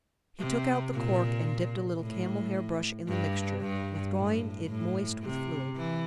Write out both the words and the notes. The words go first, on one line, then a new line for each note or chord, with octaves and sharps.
He took out the cork and dipped a little camel-hair brush in the mixture, withdrawing it moist with fluid.
C3
A#2
A2
G2
G2
A2
A2
C3
E3